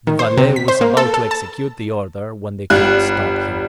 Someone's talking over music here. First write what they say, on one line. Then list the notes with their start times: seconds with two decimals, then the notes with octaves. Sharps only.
The valet was about to execute the order, when the king stopped him.
0.07 D#3
0.19 C5
0.37 C3
0.56 B6
0.68 C5
0.81 A#3
0.97 A4
1.14 A4
1.31 A5
2.70 G1 G3 F#6